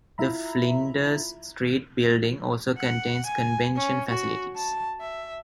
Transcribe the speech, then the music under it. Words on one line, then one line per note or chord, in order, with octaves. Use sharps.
The Flinders Street building also contains convention facilities.
E4 F4 E5 A#5 B5
F#5
G#5
C#4
F#4
A5
E5